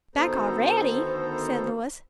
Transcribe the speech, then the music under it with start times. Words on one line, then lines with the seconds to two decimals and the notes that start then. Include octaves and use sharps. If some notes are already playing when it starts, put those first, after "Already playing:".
"Back already!" said Louis.
0.15 D2 D#3 B3 A4 C5 A#5